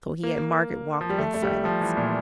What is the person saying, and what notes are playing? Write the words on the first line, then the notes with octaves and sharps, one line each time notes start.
So he and Margaret walked in silence.
A#3
F3
G3
A3
A3
G3
F3
E3
A#2